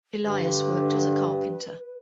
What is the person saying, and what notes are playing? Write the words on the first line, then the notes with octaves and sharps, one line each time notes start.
Elias worked as a carpenter.
G2 D3 B4